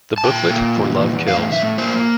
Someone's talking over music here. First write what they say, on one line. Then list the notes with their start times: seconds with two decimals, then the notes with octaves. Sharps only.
The booklet for Love Kills!
0.18 A5
0.24 A#2 G5
0.50 A#2
0.76 E2
1.02 E2
1.27 A2 F5
1.52 A2 E5
1.78 A#3 C5